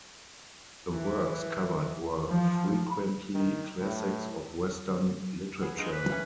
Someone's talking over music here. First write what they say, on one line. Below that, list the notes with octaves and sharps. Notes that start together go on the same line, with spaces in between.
The works covered were frequently classics of Western literature.
E3
F3
D#3
A2
B3 G#4
G#3 D#4 F4
B4
E3 A#3 C#4